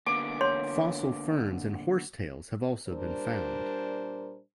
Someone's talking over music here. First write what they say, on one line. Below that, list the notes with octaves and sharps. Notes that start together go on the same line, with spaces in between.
Fossil ferns and horsetails have also been found.
D3 A#3 B3 D6
C#5 C6
A#2 G3 D4 A#4 C5